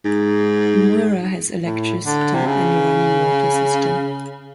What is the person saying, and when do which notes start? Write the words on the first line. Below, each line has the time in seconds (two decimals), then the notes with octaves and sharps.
Murra has electricity and a running water system.
0.05 G#2
1.65 A2
2.06 D3
2.34 C3
2.46 C#3